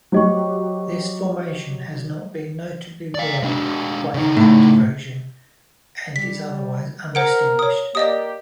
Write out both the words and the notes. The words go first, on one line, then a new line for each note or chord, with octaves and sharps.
This formation has not been notably worn by impact erosion, and is otherwise undistinguished.
F#3 G4 C5 D#5 C#6
D5 F5
G#3 D4
C#3 D#4
A2
G3 B6
A#4 C5 F#5 D7
C#5 D#6
A#3 G4 D5 D#5 D#6